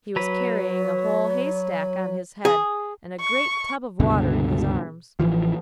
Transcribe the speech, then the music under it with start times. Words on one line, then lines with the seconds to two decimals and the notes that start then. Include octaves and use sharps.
He was carrying a whole haystack on his head and a great tub of water in his arms.
0.16 F#3 B4 C#5
2.45 G#4
3.21 C#6
4.00 C#2 G2 B2 D3
5.20 A1 E3 F3